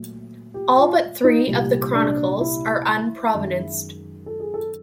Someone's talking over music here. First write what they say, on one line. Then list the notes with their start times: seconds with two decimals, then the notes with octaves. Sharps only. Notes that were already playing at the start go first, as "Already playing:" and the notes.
All but three of the chronicles are unprovenanced.
Already playing: A#2 F#3 A3
0.54 G4
0.77 F4
1.24 D#4
1.47 C2 A#2 G3
1.94 D4
2.41 E4
3.34 F#2 D#3 G#3
4.26 A4
4.40 G#4
4.54 A4